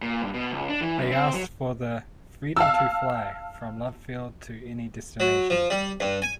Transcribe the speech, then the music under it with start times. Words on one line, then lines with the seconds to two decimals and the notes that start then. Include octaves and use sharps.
They asked for the "freedom to fly" from Love Field to any destination.
0.02 A#2
0.22 G2
0.34 B2
0.52 C#2
0.69 D4
0.81 E3
0.98 F#2
1.12 C4
1.34 F#3
2.57 F5 A5 E6
5.20 F#3
5.50 F3
5.70 G3
6.00 G2
6.22 G#5